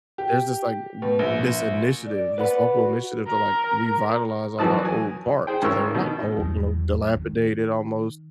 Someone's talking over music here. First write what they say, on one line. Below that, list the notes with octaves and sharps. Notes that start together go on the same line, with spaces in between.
there's this, like, r this initiative, this local initiative to, like, revitalize all our old parks, 'cause they were, like, old, you know, dilapidated almost,
G4
B2
A#1
D5
B4 F#5 B5
F#4
A#4
F#2 E3 F#4 A5 D#6
G#5
G#4 C5 G5
G#1 C#4 A#4 C#6 E6
B2 D#3
E2 F#3
D#3